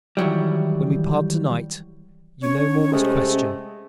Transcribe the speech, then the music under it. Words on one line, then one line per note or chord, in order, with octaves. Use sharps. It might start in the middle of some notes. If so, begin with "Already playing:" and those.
When we part to-night, you no more must question.
D#3 E3 F#3 G3
C#4 C#5
C3 G#3 A3